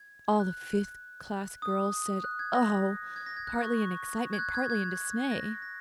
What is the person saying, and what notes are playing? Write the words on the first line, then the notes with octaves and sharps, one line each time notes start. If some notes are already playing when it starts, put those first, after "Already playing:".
All the fifth-class girls said, "Oh!" partly in excitement, partly in dismay.
Already playing: G#6
F#6
D#6
F#6
G#6
A#6
G#6
A#6
G#6
F#6
C#6
C#6
G#6
F#6
G#6
G#6
A#6
A#6